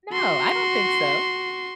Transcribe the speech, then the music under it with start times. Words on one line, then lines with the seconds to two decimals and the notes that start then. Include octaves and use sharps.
No, I don't think so.
0.12 F#4 C6